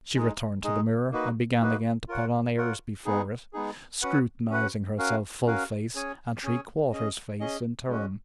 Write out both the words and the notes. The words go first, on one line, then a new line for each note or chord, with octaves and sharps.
She returned to the mirror and began again to put on airs before it, scrutinizing herself full-face and three-quarters face in turn.
G#3 D#4 G#4
G#3 D#4 G#4
A#3 D#4 F#4 B4
A#3 D#4 F#4 B4
F4 A#4 C#5 F#5
F4 A#4 C#5 F#5
G#3 B3 D#4 G#4
G#3 B3 D#4 G#4
C#4 F#4 B4 F#5
C#4 F#4 B4 F#5
C#4 F#4 A#4 F5
C#4 F#4 A#4 F5
C#4 G#4 C#5 G#5
C#4 G#4 C#5 G#5
C#4 G#4 D#5
C#4 G#4 D#5
G#3 C#4 F#4